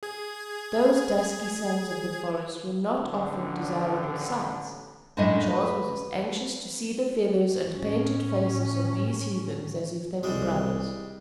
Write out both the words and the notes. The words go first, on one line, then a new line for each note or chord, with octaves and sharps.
Those dusky sons of the forest were not often desirable sights; but Charles was as anxious to see the feathers and painted faces of these heathens, as if they were brothers.
G#4 G#6
A1 D3
F#2 A2 G#3 D4 D#5 E5
B4
A2 C#4
C2 G3 G#3